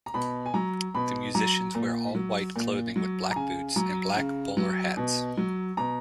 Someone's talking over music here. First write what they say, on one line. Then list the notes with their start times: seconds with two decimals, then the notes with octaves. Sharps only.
The musicians wear all-white clothing with black boots and black bowler hats.
0.06 A#5
0.14 B2 B5
0.46 G#5
0.54 F#3 A#5
0.95 B2 B5
1.35 F#3 A#5
1.75 A#2
2.15 F#3
2.56 A#2
2.96 F#3
3.31 A#5
3.36 C#3 G#5
3.76 F#3 A#5
4.17 C#3
4.57 F#3
4.97 B2
5.37 F#3
5.77 B2 A#5